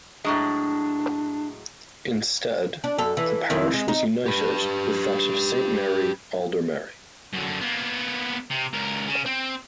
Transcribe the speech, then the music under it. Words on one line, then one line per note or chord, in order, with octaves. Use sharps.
Instead the parish was united with that of Saint Mary Aldermary.
A2 F#3 G#3 D4
D4
F#2 A4
E3
F2 D#3 E4
G#3
D#4
G4 B4
F#2 D3
A#3 B3
C3
C#2 A#4
C#3
C4